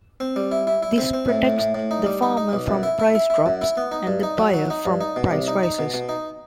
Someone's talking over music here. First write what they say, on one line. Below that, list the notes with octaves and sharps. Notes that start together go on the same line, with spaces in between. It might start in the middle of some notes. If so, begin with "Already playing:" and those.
This protects the farmer from price drops and the buyer from price rises.
C4
G3
E4
E4
E4
C4
C4
A2
A2
A2
A2
D#4
G3
D#4
D#4
B1
F#2
E4
E4
E4
E4
F#2
E4
B3
D#4
G2
D#4
F#3
F#3
D#4
G2
D#4
B2
C2
D#4
D#4
B2
B2
D#4